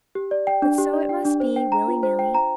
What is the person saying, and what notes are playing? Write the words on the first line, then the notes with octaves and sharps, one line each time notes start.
But so it must be, willy-nilly.
G4
D5
G5
D4
G4
D5
G5
D4
C5
G5
A#5
F4
C5
G5
A#5